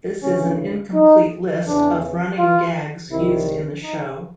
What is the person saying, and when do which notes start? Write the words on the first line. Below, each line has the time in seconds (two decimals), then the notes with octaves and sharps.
This is an incomplete list of running gags used in the show.
0.22 D2 C#3 E3 C#4
0.94 D#4
1.66 E2 C#3 E3 D4
2.38 F4
3.10 C2 C3 D#3 E4
3.83 D#4